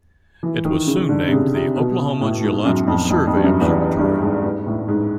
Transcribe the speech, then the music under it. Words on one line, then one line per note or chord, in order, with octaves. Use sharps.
It was soon named the Oklahoma Geological Survey Observatory.
E3
D#3
C#3
D3
C3
C#3
C3
B2
A2
G#2
F#2
F2
F2
F2
G2
F#2
E2
G2
G#2
G#2
A2
G#2